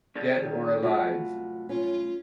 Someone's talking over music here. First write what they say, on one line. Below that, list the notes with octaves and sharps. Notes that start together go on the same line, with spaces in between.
Dead or alive.
C#4 G#4 D5
D#3
C2 F#2 A2 F4 F#4
C#4 F4